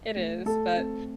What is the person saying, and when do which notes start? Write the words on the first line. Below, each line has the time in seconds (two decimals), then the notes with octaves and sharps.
It is. But
0.16 A3
0.46 A3 A4
0.77 C4